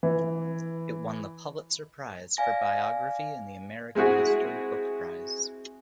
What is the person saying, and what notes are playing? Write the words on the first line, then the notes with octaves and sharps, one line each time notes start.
It won the Pulitzer Prize for Biography and the American History Book Prize.
E3
D5 F5 G#5 A#6
G#3 C4 E4 F#4 G#4